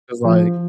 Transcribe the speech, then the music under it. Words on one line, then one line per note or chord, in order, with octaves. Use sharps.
'cause like
F3